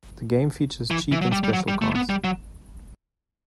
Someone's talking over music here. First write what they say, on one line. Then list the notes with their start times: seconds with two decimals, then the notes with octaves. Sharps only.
The game features cheap and special cars.
0.91 E3
1.12 E3
1.22 F#3
1.32 G3
1.44 G3
1.53 F#3
1.68 G3
1.82 A3
1.95 B3
2.10 G3
2.24 F#3